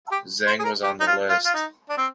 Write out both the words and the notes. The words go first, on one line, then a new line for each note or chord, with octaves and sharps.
Zheng was on the list.
G4
C5
G#4
A#4
G4
D#4
F4
F4
F4
D#4
D4
C4